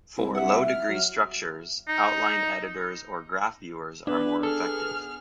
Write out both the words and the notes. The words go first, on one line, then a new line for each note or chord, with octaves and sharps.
For low-degree structures, outline editors or graph viewers are more effective.
C2 E4
E5 F#5
F6
F#3
D#4
B3 D4 B4
G#4 A4 F6